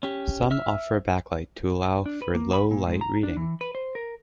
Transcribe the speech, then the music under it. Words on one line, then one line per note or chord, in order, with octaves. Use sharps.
Some offer a backlight to allow for low-light reading.
C#4 G4
E5 E6 F6
D4
B4
A#3
B5
A#2
G#2
A#5
D4
E3
B4
C5
A#4